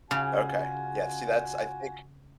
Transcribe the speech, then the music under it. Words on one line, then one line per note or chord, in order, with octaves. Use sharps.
Okay, yeah, see, that's I think
C#3 F4 F#4 G#5